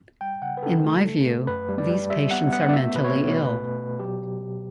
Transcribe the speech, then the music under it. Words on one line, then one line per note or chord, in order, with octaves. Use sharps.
In my view, these patients are mentally ill.
G3 G5
C#3 F#5
B4
C#3 A4
A3
A3
A3
F#2 B4
G3
D5
G3
G3 E5
B3 F#5
B3 F#5
D5
A3 E5
B2 B4
C#5
B2
A3 B4
B2
B2
F#3 G4
F#3
F#3